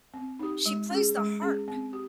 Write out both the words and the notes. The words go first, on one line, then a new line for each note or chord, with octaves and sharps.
She plays the harp
C4
D#4 G4
G#3
C#4 G#4
G#3
C#4 G#4
C4
G4